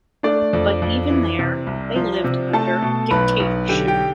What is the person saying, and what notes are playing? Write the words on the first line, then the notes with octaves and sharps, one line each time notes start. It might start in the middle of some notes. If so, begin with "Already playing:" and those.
But even there, they lived under dictatorship.
A3 D4 D5
F2
F2
E3
C3
C2
F3
C3
A3 A4 A5
B2
B1 B4 B5
B1
D3 G4 G5
G4 G5